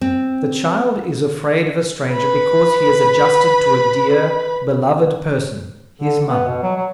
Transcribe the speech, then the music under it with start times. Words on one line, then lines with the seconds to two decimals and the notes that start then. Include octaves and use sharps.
The child is afraid of a stranger because he is adjusted to a dear, beloved person, his mother.
0.01 C4
2.12 B4 B5
6.01 D3
6.29 B3
6.47 B2
6.63 F#3
6.76 F#3